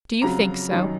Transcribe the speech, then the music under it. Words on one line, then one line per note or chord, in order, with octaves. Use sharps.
"Do you think so?"
F2 C#3 F#3 A#5
F#2 D#3 F#3